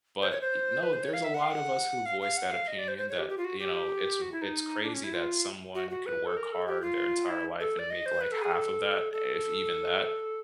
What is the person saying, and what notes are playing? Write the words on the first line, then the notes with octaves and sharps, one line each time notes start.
but, eh, no, there's a lot of us who voiced that opinion that, you know, it's r it's crazy that someone could work hard their entire life and make like half of that, if even that,
C5
C#5
C5
B4
C5
C#5
F5
E5
F#5
F5
F#5
F5
F5
F#5
F5
D#5
D5
C5
C5
C#5
G4
G4
F4
F#4
G4
F#4
E4
D#4
D4
C#4
E4
F4
F#4
F#4
B4
A4
A#4
A4
G4
F4
E4
A4
D5
D#5
C5
B4
A4
G#4
A4
A4